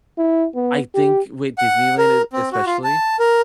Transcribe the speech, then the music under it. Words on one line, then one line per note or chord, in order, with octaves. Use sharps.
I think with Disneyland, it especially,
E4
B3
G4
F#5
A#4
C4
F#4
F4
A5
A#4